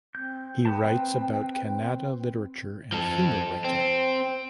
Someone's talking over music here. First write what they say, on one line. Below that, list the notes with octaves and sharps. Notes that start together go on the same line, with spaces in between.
He writes about Kannada literature and humor writing.
C4 G6
B3 B4 G5 A5
C4 B4
F3 A4
C4